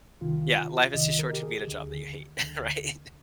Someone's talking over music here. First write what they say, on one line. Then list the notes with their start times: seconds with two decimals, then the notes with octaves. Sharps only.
Yeah, life is too short to be at a job that you hate, right?
0.21 C2 C3 D#3 F4
0.94 C2 C3 D#3 D#5
1.19 A#4
1.33 G4
1.43 G#4
1.67 D2 D3
2.40 D2 D3